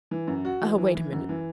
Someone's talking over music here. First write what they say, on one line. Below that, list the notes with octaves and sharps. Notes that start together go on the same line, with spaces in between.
'Oh, wait a minute.
E3
F#2
F#4
E3
E3
E3
F#2
E3